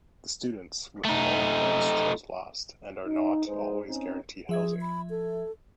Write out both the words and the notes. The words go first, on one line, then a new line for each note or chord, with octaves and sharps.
The students with the lower points choose last and are not always guaranteed housing.
A3 D#4
D#4
G#3 D#4 G#4 B4 C5
C4 C#4 D#4
F3 G#4 E5 G#6
B5
A4